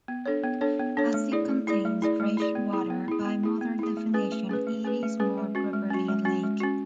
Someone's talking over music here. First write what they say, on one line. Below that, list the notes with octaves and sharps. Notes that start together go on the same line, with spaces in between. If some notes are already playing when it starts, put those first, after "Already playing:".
As it contains fresh water, by modern definitions it is more properly a lake.
B3
D4 A4 C#5
B3
D4 A4 C#5
B3
D4 A4 C#5
A3
E4 G#4 D5
A3
E4 G#4 D5
A3
E4 G#4 D5
A3
E4 G#4 D5
B3
E4 G#4
B3
E4 G#4
B3
E4 G#4
B3
E4 G#4
A3
C#4 G#4 B4
A3
C#4 G#4 B4
A3
C#4 G#4 B4
A3
C#4 G#4 B4
G#3
C#4 F#4
G#3
C#4 F#4
G#3
C#4 F#4
G#3
C#4 F#4